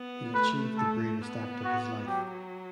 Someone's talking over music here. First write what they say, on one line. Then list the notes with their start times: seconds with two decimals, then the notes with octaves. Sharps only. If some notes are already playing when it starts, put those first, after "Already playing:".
He achieved the bravest act of his life.
Already playing: B3
0.34 A3 B4
0.78 A4
1.21 B3
1.65 F#4
2.08 F#3 G4